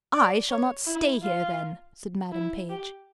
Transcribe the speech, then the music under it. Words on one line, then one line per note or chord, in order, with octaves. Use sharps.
"I shall not stay here, then!" said Madam Page.
D5
C#5
E4
F4
E4
G4